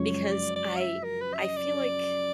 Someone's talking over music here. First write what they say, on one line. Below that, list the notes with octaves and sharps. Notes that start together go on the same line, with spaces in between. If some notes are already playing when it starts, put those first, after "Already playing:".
Because I I feel like
Already playing: F#2 C#3 F3 G#3 C#5
D5
D5
F5
E5
A#4
B4
E5
D#5
D5